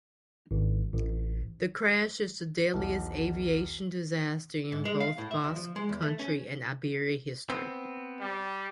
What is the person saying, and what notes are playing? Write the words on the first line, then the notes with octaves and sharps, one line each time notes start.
The crash is the deadliest aviation disaster in both Basque Country and Iberia history.
G#1
A1
B1 E2
G#2
G#3
F5
A2
E5
D2
F3
G#3
E2
A3
C#4
B3 C4
G3